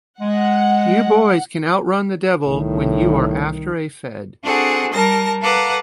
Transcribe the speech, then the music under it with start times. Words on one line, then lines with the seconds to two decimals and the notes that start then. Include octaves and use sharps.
You boys can out-run the devil when you are after a Fed.
0.21 G#3 F#5
2.47 C2 A2 D#3
4.44 C4 D4 F#4 G#4 A4 F#5
4.93 G3 A#4 A5 A#6
5.42 A4 B4 F5 F#5 A#5 D6